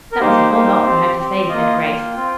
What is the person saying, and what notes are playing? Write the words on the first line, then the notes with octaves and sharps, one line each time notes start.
"That was a whole lot for her to say," said Grace.
A#4
A#3 D#4 G4 C5
A#3 D#4 G4
C4 G4
C4 G4
A#3 F4 D#5
A#3 F4 G5
C4 F4